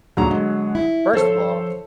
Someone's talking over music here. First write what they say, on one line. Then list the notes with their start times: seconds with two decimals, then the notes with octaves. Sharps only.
first of all
0.17 D2 A#2 D3 F#3 G#4 A#5
0.31 G#3
0.75 E4
1.13 F3 A4 C5 C#5